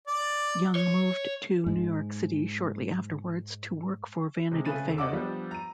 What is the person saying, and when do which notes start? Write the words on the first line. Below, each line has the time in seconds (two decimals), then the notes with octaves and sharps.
Young moved to New York City shortly afterwards to work for "Vanity Fair".
0.07 D5
0.75 C#5
1.66 G#2 G#3
4.51 C3 G#3
4.66 C#3 A3 G#4 B4 A6 D#7
4.85 E1 D3 A4
4.98 D5 D#5 F#5 C#6 D6 E6
5.13 F3 G3 B3 D4 F4 G4
5.51 A#5 D#7